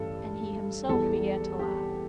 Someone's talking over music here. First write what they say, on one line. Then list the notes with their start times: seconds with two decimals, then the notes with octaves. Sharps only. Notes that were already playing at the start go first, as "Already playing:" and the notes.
And he himself began to laugh.
Already playing: A1 G2 G3 A4
0.89 E2 E3 G3 A4
1.59 G4